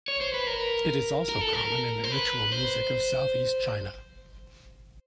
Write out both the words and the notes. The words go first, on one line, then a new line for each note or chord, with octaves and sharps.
It is also common in the ritual music of Southeast China.
C#5
C5
B4
A#4
A#4
A4
A#4
C5
B4
C5